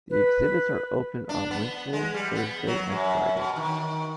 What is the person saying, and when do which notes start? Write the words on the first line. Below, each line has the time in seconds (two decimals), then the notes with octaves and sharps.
The exhibits are open on Wednesday, Thursday, and Friday.
0.10 B4
1.29 D4
1.51 B3
1.93 G#3
2.14 G3
2.35 B3
2.67 F#3
2.92 F#2
3.37 B2
3.56 D#3